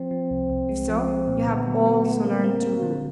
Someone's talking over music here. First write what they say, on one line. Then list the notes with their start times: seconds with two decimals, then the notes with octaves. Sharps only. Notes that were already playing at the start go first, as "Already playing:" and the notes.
If so you have also learned to rule.
Already playing: F3 C4
0.11 F3
0.31 C2
0.50 C2
0.69 G#3
0.89 F3
1.08 G#3
1.28 A#2
1.47 D3 B3
1.67 F#3
1.86 F#3
2.05 A3
2.24 A#3 C4
2.44 C4
2.63 C4
2.82 D3